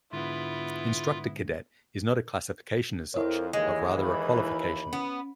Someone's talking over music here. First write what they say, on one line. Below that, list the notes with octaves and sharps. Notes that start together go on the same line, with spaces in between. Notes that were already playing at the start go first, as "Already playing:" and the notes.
Instructor Cadet is not a classification as such, but rather a qualification.
G#2 D3 G#3 B3 E4 F4
F2 E4 A#4 C#5
D#2 E3 G#3 D#5
B5
B3 C#4